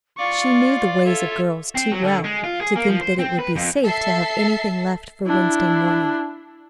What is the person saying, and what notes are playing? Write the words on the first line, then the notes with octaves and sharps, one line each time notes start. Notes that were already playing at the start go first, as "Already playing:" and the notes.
She knew the ways of girls too well to think that it would be safe to have anything left for Wednesday morning.
F4 D5 F5 C#6 D6
F4 A4 C#5 E5
C4
F#3
D3
G#3
F4
G#4
A#3
F3
C5
C4
B4
F2
A4 E5 C7
D4 E4